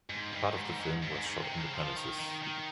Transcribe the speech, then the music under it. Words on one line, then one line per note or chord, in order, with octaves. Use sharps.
Part of the film was shot on the premises.
G#2
G2
G#2
G#2
G#2
G#2
G#2
C3
C#3
F3
D#3
D#3
D#3